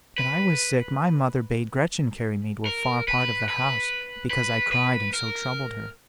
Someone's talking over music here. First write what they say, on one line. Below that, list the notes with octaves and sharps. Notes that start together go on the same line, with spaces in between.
When I was sick my mother bade Gretchen carry me to a far part of the house, because I cried and so troubled her.
B4
A#4
B4
B4
B4
B4
A#4